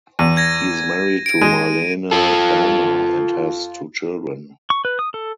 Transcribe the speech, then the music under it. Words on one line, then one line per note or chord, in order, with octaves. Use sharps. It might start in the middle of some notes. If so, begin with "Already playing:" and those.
He is married to Marlene Gauna and has two children.
E2 D#7
G#6 A#6
D7
G#3 D#7
F4 A4
C#6
B4
D#6
A4